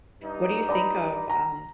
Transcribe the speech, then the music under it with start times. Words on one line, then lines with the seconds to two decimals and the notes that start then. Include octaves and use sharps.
What do you think of, um
0.22 G2 D#4
0.69 D5 A#5 B5
1.30 A#5